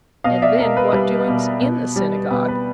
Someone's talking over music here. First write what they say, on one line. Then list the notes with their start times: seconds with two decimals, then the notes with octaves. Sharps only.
And then what doings in the synagogue!
0.24 B2 D#5 F5
0.42 D5 E5
0.59 B2 A#4
0.77 B4
0.93 G3 B4
1.28 B2
1.61 B2
1.96 G3
2.31 B2 B4
2.48 B4